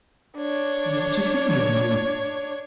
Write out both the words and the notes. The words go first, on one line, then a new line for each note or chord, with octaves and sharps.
"What is hindering you?"
D4 C#5